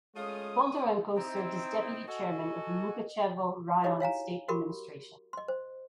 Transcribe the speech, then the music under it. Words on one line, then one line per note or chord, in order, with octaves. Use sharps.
Bondarenko served as Deputy Chairman of the Mukachevo Raion State Administration.
G#3 A3 C#4 F4 C#5 D#6
C4 D#4 E4 A#5
F#4 A4 D#5 G#5
D#4 E4 F#4 G4 C#5 D#5
C#5 F5 G#5 A#5
F#4 G4 A#4 B5 C6 D6
D#5 C6
C5